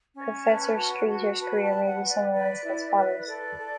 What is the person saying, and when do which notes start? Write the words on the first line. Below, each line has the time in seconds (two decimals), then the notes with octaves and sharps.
Professor Streater's career may be summarised as follows.
0.14 C#4
0.44 B4 A5
0.76 F#4
1.07 F#4
1.39 B4 A5
1.55 B5
1.61 A5
1.70 B4
1.86 F#5
2.01 B4
2.09 D5
2.31 B4 D5
2.63 E4
2.95 B4
3.26 A4 D5
3.57 A4